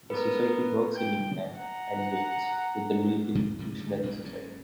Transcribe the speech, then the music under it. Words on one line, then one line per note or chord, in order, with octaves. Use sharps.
The Society works in England and Wales with the Mill Hill Missionary Society.
B3 A#4 B4
G5
F#5 A#5
G#2 C3 F#3 A#3
F#2 C3 E3
D3 G3 A3
A1 A#2 G3 G#3
F#1 G#2 C#4